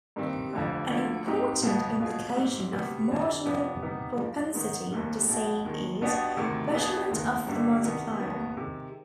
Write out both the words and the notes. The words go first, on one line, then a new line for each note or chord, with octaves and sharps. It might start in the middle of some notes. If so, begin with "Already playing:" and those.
An important implication of marginal propensity to save is measurement of the multiplier.
G2 D#3 G3 C4
F1 F2 D3 F3
D2 D3 F3
G#2 G3 C4 D#4 G4
B1 B2 G#3 B3
B2 G#3 B3 F4 G#4
G#2 G3 C4
D2 C3 G3 B3
F2 D3 G3 D4
F2 C3 F3 B3
C3 G3 B3 D#4
G2 F3 G#3
G#2 D#3 B3
F1 D#2 D#3 G3
B1 B2 G#3
D#2 D#3 G#3
B1 B2 B3 D4 G4
D2 C3 D#3 G#3
B1 B2 B3 D4 G#4
F1 D#2 D#3 G#3 B3
G1 G2 D3 G3
C2 C3 D#3 B3
F1 D#2 D#3 B3
C3 D#3 G#3